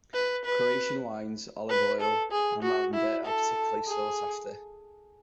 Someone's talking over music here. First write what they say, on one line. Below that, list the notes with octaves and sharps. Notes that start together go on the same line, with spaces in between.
Croatian wines, olive oil and lavender are particularly sought after.
B4
B4
B4
A4
G#4
F#4
E4
A4
G#4